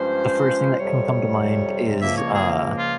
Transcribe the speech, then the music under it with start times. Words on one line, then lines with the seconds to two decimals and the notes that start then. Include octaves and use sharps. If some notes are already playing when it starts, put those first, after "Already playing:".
the first thing that can come to mind is, uh,
Already playing: G2 F3 G#3 C#4 C5
0.79 F2 C3 G3 C#5
2.00 C#2 C#3 F3 A#3 E5
2.17 C#5
2.32 G#4
2.77 F4